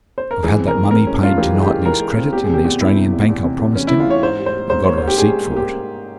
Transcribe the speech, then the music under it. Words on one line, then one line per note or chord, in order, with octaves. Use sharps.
I've had that money paid to Knightley's credit in the Australian Bank I promised him, and got a receipt for it.'
C5
A#4
E3 G#4
C4
A#4
G2
C4 A#4
G#3 C#4
G2 F4
E3 G4
G#3
G4
E3
E3 A#4
G#3
C4
E2 G4
G#4
C3 G4
E2
E2 E4
C3
E2
E2
C3
E2
E3 C#4
E4
E3
F4
E2 C#5
G#2 C5
G3
C5
G3
G#2 C5
A#3 C#5
G#2 C5
G4
G3 G#4
G#2
A#3
G4